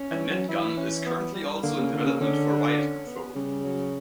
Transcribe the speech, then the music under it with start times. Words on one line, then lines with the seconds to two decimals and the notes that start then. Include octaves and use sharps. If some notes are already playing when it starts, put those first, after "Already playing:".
A net gun is currently also in development for riot control.
Already playing: C#4
0.11 E3
0.30 F#3
0.49 E3 E4
0.77 C#4
1.06 B3
1.34 G3
1.63 D3 A#3
1.78 C#3
1.93 D3
2.06 C#3
2.20 D3 C#4
2.49 D4
2.78 C#4
3.06 B3
3.35 C#3 G3
3.64 F#3